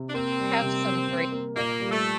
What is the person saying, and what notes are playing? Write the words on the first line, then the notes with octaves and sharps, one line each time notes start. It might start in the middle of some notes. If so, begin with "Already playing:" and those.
have some great holidays,
Already playing: C3
D4
A#3 C4
G3
C3
C3
C3
A#3
A#2 A#3
G3
A3